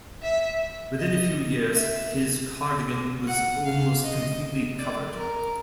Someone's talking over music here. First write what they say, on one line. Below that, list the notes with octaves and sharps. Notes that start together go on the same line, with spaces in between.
Within a few years, his cardigan was almost completely covered.
E5
D#5
E5
F#5
F5
D#5
D5
A#4